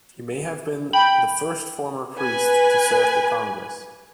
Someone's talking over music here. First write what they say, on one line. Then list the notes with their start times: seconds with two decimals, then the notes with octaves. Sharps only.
He may have been the first former priest to serve in Congress.
0.93 G5 B5
2.17 B4 G#5